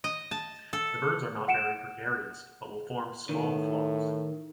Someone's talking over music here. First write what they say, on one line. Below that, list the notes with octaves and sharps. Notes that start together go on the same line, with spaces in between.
The birds are not very gregarious, but will form small flocks.
D#5
A5
A4
F#5 C#7 D7 E7
A2 D#3